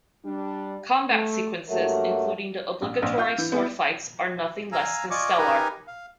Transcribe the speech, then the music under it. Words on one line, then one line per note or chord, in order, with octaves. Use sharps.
Combat sequences, including the obligatory sword fights, are nothing less than stellar.
G3 D4
A3
G2 F#3 A3 A#3 F#4 A#4
A#1
A#1
F4 G6
E3
B3 E4
F5 G#5 A#5 E6
F4 D5 D#5 G#5 C#6 D6
D#4 G4 A#4 B4 G#5 A#5
F5